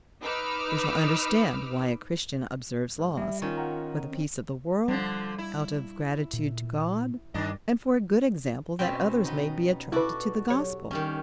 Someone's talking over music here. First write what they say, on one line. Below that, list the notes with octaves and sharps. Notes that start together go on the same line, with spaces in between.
We shall understand why a Christian observes laws: For the peace of the world, out of gratitude to God, and for a good example that others may be attracted to the Gospel.
D#4 B4 D6 E6 F6
G#2
G3 E5
D#3 C#4 F4
F#5 G5 A#5
C4
D3 F3 G3
E4
A#2
G2 D#3 D4 D#5
B2 C4 C#4 G5 B6
B3 D#4
E4 F#4 A4 B4 D5
F#3 G4 C#5
D#3 G3 C#4